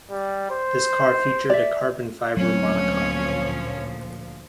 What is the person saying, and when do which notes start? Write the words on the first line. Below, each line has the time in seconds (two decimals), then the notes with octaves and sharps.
This car featured a carbon fiber monocoque.
0.11 G3
0.51 C5
1.50 D5 E5
2.37 D2 A#2 F3 F#3 A3 C4 C#4 C#5